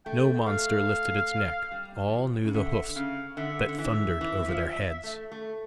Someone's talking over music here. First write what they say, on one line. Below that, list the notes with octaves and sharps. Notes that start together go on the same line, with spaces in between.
No monster lifted its neck; all knew the hoofs that thundered over their heads!
A3 G5
A3 F5
G3
G3
F3
C#3
D3 E5
C#3 F5
D3 E5
D3
E3 E5
E3
F3
A3
A3